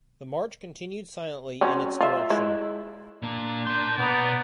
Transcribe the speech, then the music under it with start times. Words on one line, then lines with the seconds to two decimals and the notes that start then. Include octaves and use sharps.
The march continued silently in it's direction.
1.61 F#3 C4 C#4
2.01 F4 E5
2.30 G#3 E4
3.22 A#2 A#3 D4
3.67 A#4 C6 G6
3.98 B2 B3 D5 A#5